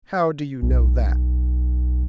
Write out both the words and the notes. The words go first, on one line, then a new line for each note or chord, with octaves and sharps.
"How do you know that?"
B1